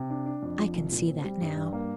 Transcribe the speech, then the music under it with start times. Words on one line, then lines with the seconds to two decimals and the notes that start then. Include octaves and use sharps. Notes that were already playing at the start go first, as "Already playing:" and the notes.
I can see that now.
Already playing: C3
0.10 D4
0.26 D4
0.42 F2
0.59 F3
0.75 C2
0.92 A#2
1.08 C4
1.24 G3
1.41 G2
1.56 G2
1.73 A#3